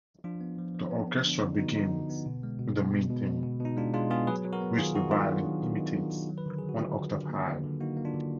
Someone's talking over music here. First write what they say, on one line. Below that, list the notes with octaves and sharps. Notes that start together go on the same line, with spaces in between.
The orchestra begins with the main theme, which the violin imitates one octave higher.
F3 D4 F4
B3
F3
F3
B3
B3
D3 D4
D3 D#4
B3 D#4 F#4
D3 D#4
D3
B3
B2
G#3
B2
G#3
B2
B2
B2
B2
B2
D#4
G#3 D4 F4
G#3 D4 F4
B3 F4 G#4
F#3 G#4 B4
F#3
F#4 A#4
B3
D#3 F4 G#4
D#3 D#4 F#4
D#3 D4 F4
F#3
D#3
D#3
B3 D#4
D#3
D#3
F#3
B4
D3 A#4
F#3 G#4
F#4
D3 D4 F4
D3
D3
A#3
D3
D3
A#3 D#4 F#4
A#3
D4 F4
D3